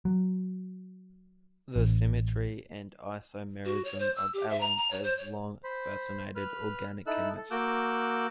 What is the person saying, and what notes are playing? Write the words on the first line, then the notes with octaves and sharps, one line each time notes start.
The symmetry and isomerism of allenes has long fascinated organic chemists.
F#3
A1
F#4
C#5
C5
E6
G4
E5
A#5
A#5
C#5
C5
C#5
C5 B5
B4 F6
D#4 E4 A4 E6 F#6
A4
A#3 F#4 D6 E6 F#6 G6